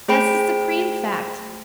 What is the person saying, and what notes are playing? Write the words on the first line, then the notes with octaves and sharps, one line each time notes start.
That's the supreme fact.
A3 G#4 C5 G5 B5 D7